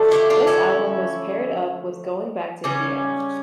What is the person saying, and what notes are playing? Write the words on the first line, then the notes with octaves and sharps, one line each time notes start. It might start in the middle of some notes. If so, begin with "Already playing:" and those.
This album was paired up with "Goin' Back to Indiana".
Already playing: D3 F3 A3
E4 G4
D4 F4
C#4 E4
C#3 G3 C#4